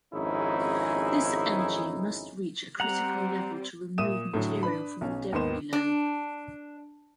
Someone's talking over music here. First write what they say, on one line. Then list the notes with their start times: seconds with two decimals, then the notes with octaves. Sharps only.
This energy must reach a critical level to remove material from the debris lobe.
0.13 G#1 F2 C#4 D#4 E4 G#4
2.80 G3 C4 F#5 A#5
3.98 A#2 E5 D#6 D#7 E7
4.34 A2 D3 F#3
4.63 D4 B4 B5
5.01 B1 C#4
5.33 D#2 G#2 D#3 B3 C6 E7
5.73 D4